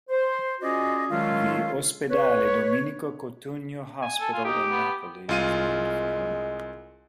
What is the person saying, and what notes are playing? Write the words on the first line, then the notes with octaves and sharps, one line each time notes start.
The "Ospedale Domenico Cotugno", hospital in Napoli is named for him.
C5
C#4 F4 F#4 G#4 D5 D#5
D#3 F#3 G#3 A3 C#4 F4
B4 C#5
G#5
A4
F4
D#4 G4
B3
C2 G#3 F4 D#7